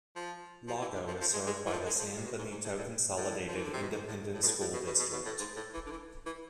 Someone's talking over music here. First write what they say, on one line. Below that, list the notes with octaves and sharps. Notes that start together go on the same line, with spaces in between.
Lago is served by the San Benito Consolidated Independent School District.
F3
F3
E3
D3
F3
F3
G#3
G#3
E3
F3
G#3
F3
C3
B2
G#2
G#2
A2
A2
A2
F3
E3
D3
C3
B2
G#2
A2
A2
B2
A2
A2
B2
B2
B2
B2
A2
G#2
A2
E3
D3
E3
E3